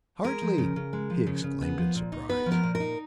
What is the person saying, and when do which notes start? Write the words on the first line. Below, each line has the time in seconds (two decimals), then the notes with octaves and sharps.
"Hartly!" he exclaimed, in surprise.
0.24 G#3 A#4
0.41 F3
0.58 C#3
0.76 C#3
0.93 G#3
1.10 F3
1.27 C#3
1.44 C#3
1.61 B3
1.78 F3
1.95 A#2
2.12 D#4
2.29 B3 B4
2.46 F3
2.52 A#4
2.63 A#2
2.75 A#4
2.80 D#4